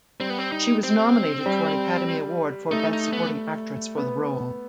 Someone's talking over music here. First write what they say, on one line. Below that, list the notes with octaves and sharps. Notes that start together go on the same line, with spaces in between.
She was nominated for an Academy Award for Best Supporting Actress for the role.
G3 C4
B3
C4
D#4
C4
G3
A3 D#4
D#4
B3
B3